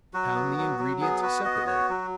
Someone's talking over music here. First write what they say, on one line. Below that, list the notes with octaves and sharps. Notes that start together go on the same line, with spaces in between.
Pound the ingredients separately.
F#3 F#4
B3
F#3
F#3
B3 G#4
F#4 B4
B3 D#5
F#4 C#5
F#3